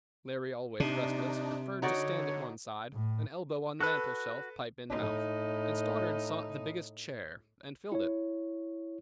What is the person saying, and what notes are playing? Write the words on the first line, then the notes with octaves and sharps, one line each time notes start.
Larry, always restless, preferred to stand at one side, an elbow on the mantel-shelf, pipe in mouth; and Stoddard sought the biggest chair,—and filled it.
C3 D4 D#4
D3 D#4 F#4 C#5 D5
A2
F#4 A4 B4 F#6
A2 D#4
E4 C#5